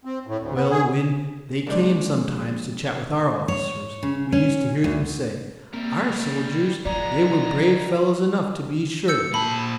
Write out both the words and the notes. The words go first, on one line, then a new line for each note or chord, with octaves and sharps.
Well, when they came sometimes to chat with our officers, we used to hear them say, 'Our soldiers they were brave fellows enough, to be sure!
C4
A2
D2
B3
G#4
F3 G#3 A#3 D4 D#4 D5
C#5
C#3
C#4
D2
G3 A#3 C4 A#4
F3 G#3 B3 D5 A#5
E6 G6 C#7
A#2 A5 B5